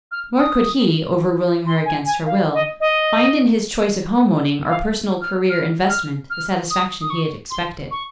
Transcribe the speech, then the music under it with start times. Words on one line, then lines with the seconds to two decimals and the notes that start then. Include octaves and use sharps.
Nor could he, overruling her against her will, find in his choice of home-owning or personal-career investment the satisfaction he had expected.
0.12 F6
0.39 D#6
1.66 C6
1.85 G#5
2.06 G#5
2.26 F5
2.54 D#5
2.80 D#5
4.68 F5
5.22 F6
5.50 F6
5.90 F6
6.30 F6
6.71 D#6
7.01 D#6
7.10 C#6
7.51 C6
7.91 C#6